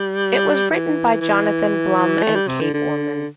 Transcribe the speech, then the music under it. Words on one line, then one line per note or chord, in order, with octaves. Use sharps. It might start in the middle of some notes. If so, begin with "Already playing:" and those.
It was written by Jonathan Blum and Kate Orman.
Already playing: G3
E3
E3
A3
G3
C3
D3
D3